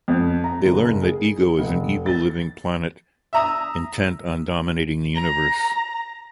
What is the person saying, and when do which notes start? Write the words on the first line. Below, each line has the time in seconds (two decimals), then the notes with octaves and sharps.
They learn that Ego is an evil living planet intent on dominating the universe.
0.08 F2
0.44 A#5
0.65 F#1
1.02 G#4
1.59 F1
2.06 A6
3.33 E5 A#5 D#6
5.15 A#5